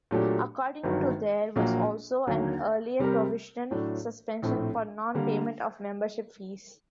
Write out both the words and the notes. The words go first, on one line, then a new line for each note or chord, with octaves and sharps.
According to there was also an earlier provisional suspension for non-payment of membership fees.
A#2 F#3 A3 D4 G4
G1 G2 D#3 F#3
A#1 A#2 F#3 A#3 F#4
D#2 D3 F#3 A#3
C3 G3 C4 G4 A#4
A2 F#3 A3 D4
A#1 A2 A3 C4
D3 G3 A#3